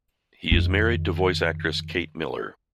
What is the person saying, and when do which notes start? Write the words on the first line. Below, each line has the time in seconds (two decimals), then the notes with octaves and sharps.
He is married to voice actress Kate Miller.
0.51 F2 D#3